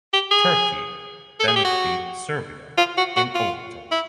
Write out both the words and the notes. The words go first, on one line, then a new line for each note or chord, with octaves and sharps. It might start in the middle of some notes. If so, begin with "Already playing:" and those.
Turkey then beat Serbia in overtime.
G4
G#4
A4
G#4
G4
F#4
F4
F#4
F#4
F4
E4